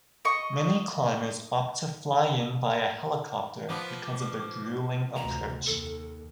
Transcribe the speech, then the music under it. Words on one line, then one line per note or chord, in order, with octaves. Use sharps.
Many climbers opt to fly in via helicopter because of the gruelling approach.
D#5 C#6
F3 B3 D6
D2 C3 A#5
D#2 A4